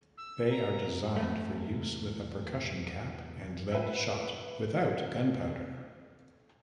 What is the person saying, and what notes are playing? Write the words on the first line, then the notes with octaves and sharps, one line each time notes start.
They are designed for use with a percussion cap and lead shot, without gunpowder.
E6
A#5
E2 A3
B4 E5